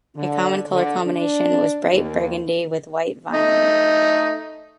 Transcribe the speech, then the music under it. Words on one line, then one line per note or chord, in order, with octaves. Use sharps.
A common color combination was bright burgundy with white vinyl.
D3
D3
D4
D#2
A3 D#4 D#5